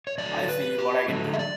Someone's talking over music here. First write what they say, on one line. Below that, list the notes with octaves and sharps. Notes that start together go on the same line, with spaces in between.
I'll see what I can do.
C#5
D3 F#3 A3 D5
B4
G4
D3 F#3 A3
E5
D5